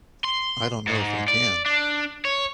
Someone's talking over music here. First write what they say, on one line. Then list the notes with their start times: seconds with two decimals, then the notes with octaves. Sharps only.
I don't know if I can.
0.24 C6
0.87 G#2
1.28 D5
1.66 D4
2.25 C#5